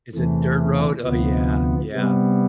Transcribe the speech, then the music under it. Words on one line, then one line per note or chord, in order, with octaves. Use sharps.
Is it dirt road? Oh, yeah, yeah.
E2 C3 E3 A3
D2 C3 F3 B3
C3 G3 B3